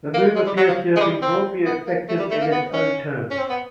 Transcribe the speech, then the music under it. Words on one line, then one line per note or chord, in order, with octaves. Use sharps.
The move appears to have been broadly effective in its own terms.
A#3
G#3
G3
F#3
F3
G#3
G3
C4
B3
A#3
A3
G3
A3
A#3
B3
C#4
C#4
C4
B3